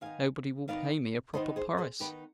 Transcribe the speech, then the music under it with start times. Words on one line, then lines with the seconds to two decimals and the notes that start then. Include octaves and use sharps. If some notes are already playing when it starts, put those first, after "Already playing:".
"Nobody will pay me a proper price."
0.01 D#3 B3 D#4 F5 G#5
0.68 D#3 B3 D#4 D5 F5
1.34 D#3 B3 D#4 C5 D#5
1.56 G#4 C5
1.78 G#4 C5
2.00 D#3 B3 D#4 G4 B4